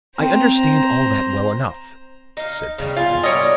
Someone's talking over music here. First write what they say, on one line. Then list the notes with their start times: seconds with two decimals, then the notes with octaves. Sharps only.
"I understand all that well enough," said Pendleton.
0.19 C4 C5 A#5
2.37 D#4 F5
2.78 C#3 G3
2.97 F4 G#5
3.24 G3 A#4 C#5 D#5